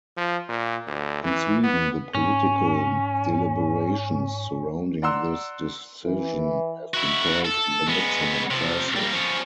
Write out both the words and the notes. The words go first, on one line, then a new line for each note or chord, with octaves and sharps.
In Sweden the political deliberations surrounding this decision have been called the "midsummer crisis".
F3
A#2
D2
E3
B3
G#2 C#4
D5 F#5 A#5 C6 E6 F#6
E3
E4 F#4
A4
G#3 B3
C3 F3
G3 A#3
F3 C#4